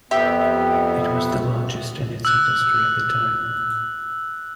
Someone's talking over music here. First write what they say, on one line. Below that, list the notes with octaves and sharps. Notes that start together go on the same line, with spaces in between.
It was the largest in its industry at the time.
F2 B3 G4 E5
E6 F#6